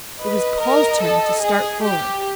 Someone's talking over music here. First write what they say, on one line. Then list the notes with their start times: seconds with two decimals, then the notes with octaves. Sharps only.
It was Paul's turn to start forward.
0.22 B4 D#5
0.62 A#4
1.03 A4
1.42 G#4
1.83 G4